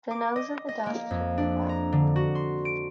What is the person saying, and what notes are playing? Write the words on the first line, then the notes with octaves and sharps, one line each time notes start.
The nose of the dog should be black.
D6
D#5
D#5
A#3
F2
D4
A#5
D3
F#4
C6
D7